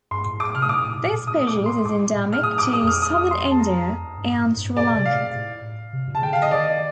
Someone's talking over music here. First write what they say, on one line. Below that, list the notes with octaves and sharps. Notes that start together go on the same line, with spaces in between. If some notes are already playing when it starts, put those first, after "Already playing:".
This species is endemic to southern India and Sri Lanka.
G2 C6
A2
D6
C3 F6
D#6
A#2 D6
A2
A#2
A#2
A2 D#6
D6
A#2
C6
A2 D6
A#2
F6
A2 D#6
D6
A#2
D#6
F2 F6
D#6
F6
D#6
C6
A5
A#5
G2
A2
G2
A#2 D5
A#2
C3
F5
A#2
A2
C3
A#2
C3 A5
D3 G5
F5
D#5
D#3 D5